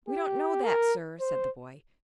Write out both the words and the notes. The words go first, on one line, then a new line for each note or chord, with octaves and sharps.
"We don't know that, sir," said the boy.
G4
A#4
C5